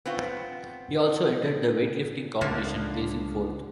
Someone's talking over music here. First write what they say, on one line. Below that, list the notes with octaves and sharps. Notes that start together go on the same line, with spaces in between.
He also entered the weightlifting competition, placing fourth.
B3 C4 F4
C#2 D3 F3 A#3